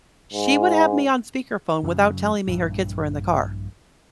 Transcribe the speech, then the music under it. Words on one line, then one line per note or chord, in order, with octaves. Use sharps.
she would have me on speakerphone without telling me her kids were in the car.
G#2
F#2 C#3 F#3
A#1 G2 E3